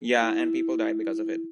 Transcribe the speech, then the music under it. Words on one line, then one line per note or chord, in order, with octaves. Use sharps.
Ya and people died because of it.
E4